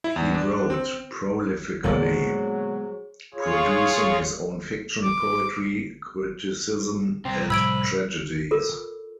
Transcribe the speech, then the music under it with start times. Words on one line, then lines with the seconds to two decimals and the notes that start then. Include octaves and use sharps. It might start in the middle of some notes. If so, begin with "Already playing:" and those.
He wrote prolifically, producing his own fiction, poetry, criticism, and tragedies.
0.04 E4
0.16 E2
0.35 D4
0.70 C4
1.84 A#2 D3 F#3 G#3 B3 G#4 C5 C#5
3.34 F4 G#4 C#5
5.03 D6
7.25 C2 C4
7.50 A2 C3 F3 B5 E6 G#6 D7
8.51 F4 A4 A#4